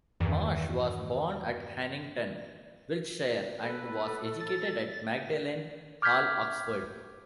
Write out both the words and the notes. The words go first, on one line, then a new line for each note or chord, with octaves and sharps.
Marsh was born at Hannington, Wiltshire and was educated at Magdalen Hall, Oxford.
E2 G2 D#3 E3
A4 B4
A6
D6 F6 G6 G#6 B6